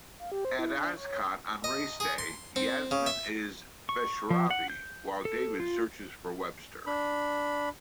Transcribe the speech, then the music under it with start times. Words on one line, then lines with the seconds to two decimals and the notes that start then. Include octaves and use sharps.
At Ascot on race day, Yasmin is with Beshraavi, while David searches for Webster.
0.19 F5
0.32 G4
0.45 C5
0.59 E4
0.78 D4
0.97 C#5
1.64 D#5
2.00 G#4
2.18 C6
2.56 C4
2.91 C#3
3.06 E5
3.89 C#6
4.30 F3
4.51 F#5
4.70 G6
5.25 A4
5.60 F4
6.87 D4 B5